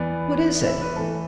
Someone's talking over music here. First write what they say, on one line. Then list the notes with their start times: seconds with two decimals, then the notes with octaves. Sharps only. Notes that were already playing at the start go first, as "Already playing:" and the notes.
"What is it?"
Already playing: E2 E3 B3 D5
0.66 E5
0.81 B4
0.96 E2 E3 A3 A4